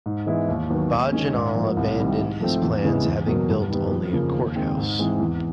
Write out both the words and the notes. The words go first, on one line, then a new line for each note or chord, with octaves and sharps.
Bagenal abandoned his plans, having built only a courthouse.
G#2
E3 G#3 B3 E4
D#2
D#3 F#3 B3
D#2
D#3 G#3 C#4
G#2
F3 A#3
C2
C3 D#3 G3
G#2
F3 A3 C4
E2
C#3 E3 G#3 B3
E2
B2 F#3 A#3
G2
D#3 G3 B3
F2
C#3 F3 A#3
D#2
D#3 G#3 C4
G#2
E3 G#3 C4
E2